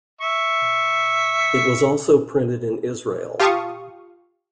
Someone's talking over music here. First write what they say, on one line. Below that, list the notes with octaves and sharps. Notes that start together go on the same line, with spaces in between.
It was also printed in Israel.
E5 C#6
F4 G4 F5 A5 C#6 D#6